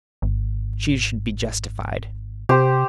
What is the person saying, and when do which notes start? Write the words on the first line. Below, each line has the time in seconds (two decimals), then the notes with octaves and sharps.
She should be justified.
0.22 G#1
2.49 C3 G4 C5